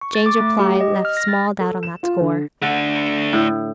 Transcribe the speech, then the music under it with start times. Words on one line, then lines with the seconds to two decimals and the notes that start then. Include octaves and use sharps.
Jane's reply left small doubt on that score.
0.01 C#6
0.15 A6
0.26 D6
0.40 A3
0.59 G4
0.81 D#5
1.05 F6
1.17 A#6
1.28 A6
1.60 A4
1.83 E7
2.03 F4
2.20 D3
2.62 D3 A3 D4
3.33 A2